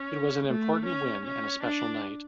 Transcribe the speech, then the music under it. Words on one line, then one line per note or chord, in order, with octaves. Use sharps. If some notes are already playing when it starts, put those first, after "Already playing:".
It was an important win and a special night.
Already playing: C#4
A3
C#4
C#4
D4